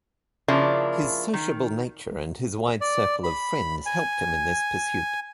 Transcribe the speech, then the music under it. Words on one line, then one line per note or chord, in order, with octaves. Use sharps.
His sociable nature and his wide circle of friends helped him in this pursuit.
C#3 F3 A#3 D4 E4
D#3
D5
B5
G#5